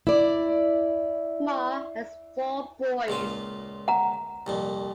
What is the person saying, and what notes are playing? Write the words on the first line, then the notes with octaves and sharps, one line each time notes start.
Mohr has four boys.
E4 D5
C#2 A#2 F4
F#5 A#5
C2 F2 A#2